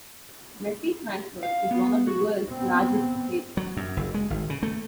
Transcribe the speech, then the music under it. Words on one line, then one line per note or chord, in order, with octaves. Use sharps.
Messe Frankfurt is one of the world's largest trade fairs.
F5
B3
F#4
B3 C4
F#3
F#2
F#1
G#3
G#1
C#3
A3